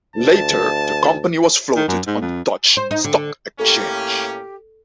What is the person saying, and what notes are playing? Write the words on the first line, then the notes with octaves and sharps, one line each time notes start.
Later the company was floated on the Dutch stock exchange.
D2 A5
D#3
F#2
G#2
F2
C5
D#4
D3
A2 A#3 C#4 G4 A4